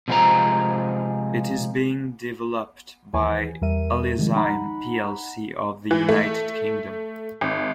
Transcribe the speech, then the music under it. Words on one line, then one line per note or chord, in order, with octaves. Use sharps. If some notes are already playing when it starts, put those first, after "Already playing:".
It is being developed by Alizyme plc of the United Kingdom.
C3 F3 G#3 F4 C5 A#5
D#2 E3 B4 G#5
E2 G3 A#4 E5 D#7
C3 D#3 F3 G#3
D#4 F#5 A#5 B5
E3
A3
G#1